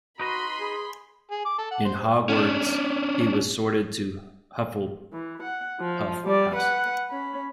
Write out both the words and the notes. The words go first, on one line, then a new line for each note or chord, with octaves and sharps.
In Hogwarts, he was sorted to Hufflepuff house.
D#4 F#4 B4 D#5 B5 C6
G#4
G#4
D6
A4
F#5
C5
C#4 D4
E3
F#5
F3
G3 D5
B4 F#5
C#4 B5